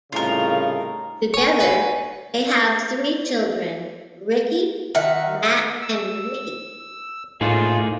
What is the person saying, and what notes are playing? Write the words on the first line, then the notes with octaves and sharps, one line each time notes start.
Together they have three children: Ricky, Matt, and Nikki.
C2 A2 C#3 D#4 F4 A#4
C#5 G#5 C#6
B4
D#3 E5 F#5
E6
A2 A3 A#3 D#4 F4 G#4